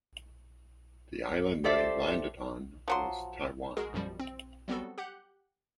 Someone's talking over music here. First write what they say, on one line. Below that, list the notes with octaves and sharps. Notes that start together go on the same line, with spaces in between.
The island they landed on was Taiwan.
G4 A4 C5 D5 E5
F3 F#3 C6
G#3 F#4 G#4 A#4
A1 F#2 B2 F3 G3
C4
F#3 G3 B3 C4 F#4 A4
G4 F#5 F#6 G6